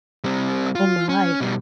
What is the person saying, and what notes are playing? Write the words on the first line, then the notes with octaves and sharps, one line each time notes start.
Oh my.
G3 C4
F4
C#4
B2 G3